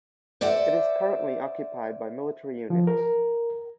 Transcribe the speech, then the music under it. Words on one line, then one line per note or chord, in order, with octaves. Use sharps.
It is currently occupied by military units.
C5 D5 E5 F#5
F3
A#4